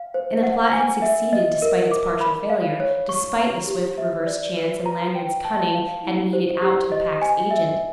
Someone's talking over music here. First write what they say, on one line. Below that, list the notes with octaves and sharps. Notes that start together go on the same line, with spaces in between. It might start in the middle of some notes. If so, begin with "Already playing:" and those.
And the plot had succeeded despite its partial failure, despite the swift reverse chance and Lanyard's cunning had meted out to the Pack's agent.
Already playing: F5
C5
F#5
G#5
E5
D#5
A#4
D6
B5
F5
C#5
C#6
A#5
G4
E5
D5
B4
A#5
G5
A5
F5
E4
C5
G4
D#5
G#5
E5